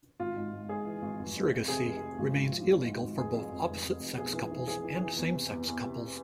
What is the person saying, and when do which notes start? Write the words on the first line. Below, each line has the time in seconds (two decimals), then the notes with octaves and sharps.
Surrogacy remains illegal for both opposite-sex couples and same-sex couples.
0.20 G#1 F4
0.36 G#2
0.53 G#2
0.69 G#2 G#4
0.86 E3
1.02 G#1
1.19 F1
1.36 F2
1.52 F1
1.68 C3 G#4
1.85 F1
2.02 F1
2.18 G#1
2.35 G#1
2.52 F3
2.68 F3
2.85 G#2
3.01 G#1
3.18 F1 G#4
3.34 F2
3.51 F2
3.67 F1
3.85 F1
4.00 F1
4.18 B1 G#4
4.34 E3
4.51 E3
4.67 E3 G#4
4.84 E3
5.01 E3
5.17 E2
5.34 C3
5.50 E2
5.67 E2
5.84 C3